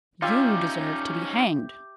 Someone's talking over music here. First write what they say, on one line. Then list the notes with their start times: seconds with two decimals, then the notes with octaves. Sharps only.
You deserve to be hanged.
0.22 C#4 D#4 F4 G4 E5